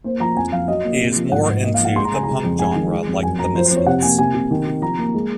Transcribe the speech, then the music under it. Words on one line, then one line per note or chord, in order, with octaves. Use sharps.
He is more into the Punk genre like the Misfits.
A#3 C5
F3 A#5
F2 G#5
F2 F5
F#3 D#5
A#3
C3
F3
G#2 F#5
G#2
A#3 D#5
F5
F3
F#5
G#3 C6
A#5
C#3 G#5
G#3 A#5
F2
G#3 G#5
D#3
G#3
F2
F#2 G#5
F#2 A#5
F3 C5
C5
F2
C#5
C3 F#5
A#3 G#5
C3 G#5
C3
D#3
C3
F3 A#5
A#3
G#3